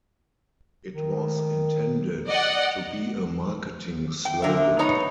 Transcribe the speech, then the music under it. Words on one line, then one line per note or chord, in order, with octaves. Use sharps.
It was intended to be a marketing slogan.
D#3
D5 D#5 F#5
G5
A#2 D3 A#4 E5
B3 D#4 C#5 A#5